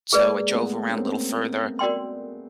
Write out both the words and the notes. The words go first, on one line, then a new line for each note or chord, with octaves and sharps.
So, I drove around a little further,
G#3 A#3 G#4 B4 D5
A3 B3
C#4
A#3 C4
F#4 A#4 D5 G5 C6